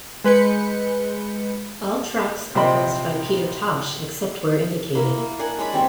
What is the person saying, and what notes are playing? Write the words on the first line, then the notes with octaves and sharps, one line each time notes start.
All tracks composed by Peter Tosh except where indicated.
G#3 B4 G6 C#7
A#1 C3 C5 D5 D#5 B5
A#3 E4 A#4
A#3
D4 A#4 F#5 G#5
G#3 C#5 D5 B5
G3 C4 C#5 E5